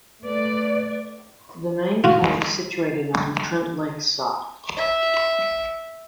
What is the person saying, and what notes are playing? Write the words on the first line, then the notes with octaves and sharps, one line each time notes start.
The main core is situated on the Trent Lakes side.
A3 B4 D5
F4 F#4
E5